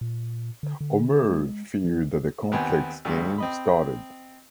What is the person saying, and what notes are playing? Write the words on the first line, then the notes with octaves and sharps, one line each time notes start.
Omer feared that the complex game started.
A#2
D3
D3
G#3
F3
D#2 B3 C4 G#5
D2 G2
C4 D#5 B5